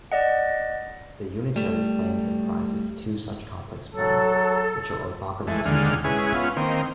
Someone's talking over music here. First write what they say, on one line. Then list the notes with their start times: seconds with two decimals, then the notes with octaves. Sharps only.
The unitary plane comprises two such complex planes, which are orthogonal to each other.
0.12 D5 D#5 F#5
1.56 G3 A3
3.90 F#3 A4
5.47 E3 G#3 A3
5.66 D#2 D3 G#3 F6
6.04 G#3 C#4 E4 G#4 B4
6.34 B3 C#4 F4
6.57 D#3 A#3 C4